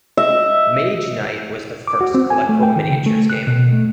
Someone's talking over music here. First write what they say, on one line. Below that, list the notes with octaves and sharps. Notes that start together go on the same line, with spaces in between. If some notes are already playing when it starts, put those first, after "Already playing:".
Mage Knight was the first collectible miniatures game.
D#5 E5
D6
F#4
C4
G#5
A3
G5
D#3
C#3
A3
F#6
B2
A3